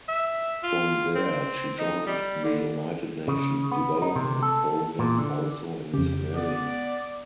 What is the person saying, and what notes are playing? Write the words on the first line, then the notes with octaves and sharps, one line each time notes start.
From there she joined the United Nations Development Programme also in Somalia.
E5
F4
C4
D#4
G3
D3
C#3
B3
D#4
C3
A4
A#2
D3
F2 C#3 G4
B3 D5